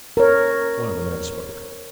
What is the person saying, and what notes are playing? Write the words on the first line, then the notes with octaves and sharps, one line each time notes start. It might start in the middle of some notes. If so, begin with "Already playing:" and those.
One of the men spoke.
A#4 C#5